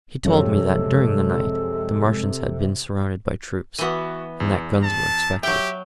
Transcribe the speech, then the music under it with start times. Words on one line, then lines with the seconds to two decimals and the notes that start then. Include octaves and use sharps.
He told me that during the night the Martians had been surrounded by troops, and that guns were expected.
0.25 F#2 C3 F3 G#3 A4 C#5
3.79 E3 B3 F#4 D#7
4.40 E2
4.84 A5
5.43 F#3 G4 E5 G5